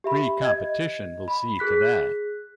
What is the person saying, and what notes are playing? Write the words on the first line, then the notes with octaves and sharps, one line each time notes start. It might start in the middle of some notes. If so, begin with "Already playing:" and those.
Free competition will see to that.
G4 E5 B5
D#5 G#6
B5
G#4 F#6 B6